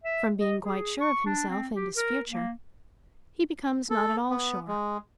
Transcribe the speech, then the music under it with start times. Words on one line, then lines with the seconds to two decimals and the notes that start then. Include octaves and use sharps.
From being quite sure of himself and his future he becomes not at all sure.
0.04 E5
0.39 D#5
0.62 G#4
1.01 C#6
1.26 D4
1.49 C4
1.74 G4
1.97 A#4
2.30 A#3
3.90 A4
4.30 B3
4.68 G#3